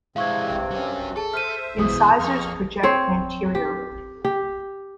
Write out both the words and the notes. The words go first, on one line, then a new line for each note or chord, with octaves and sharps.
Incisors project anteriorly.
G2 C3 G#3 C4 E4 F5 C#6 G#6
F#3 C#4
G#4 A4 A5
C5 E5 F6 D#7
B2 E3 G#4 D#6
F2 A#3 C#6 F6
C4 C5 C#5
G4
G4